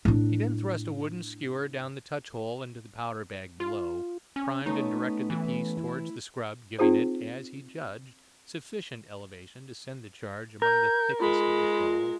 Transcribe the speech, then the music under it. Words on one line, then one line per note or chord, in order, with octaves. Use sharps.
He then thrust a wooden skewer down the touch-hole into the powder bag below, primed and directed the piece towards the scrub, giving it, as he judged, sufficient elevation to send the charge among the thickest of the foe.
A2 D4
F4
C#4
A3 B3 C#4 D#4
E3
E4
C4 D#4 F4 G#4 C5
A#4 G6
G#3 F4 B5